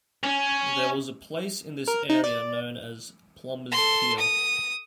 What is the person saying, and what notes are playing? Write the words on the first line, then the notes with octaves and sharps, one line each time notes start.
There was a place in this area known as Plummer's Pier.
C#4
A#4
D#4
D5
A4 C6
D#6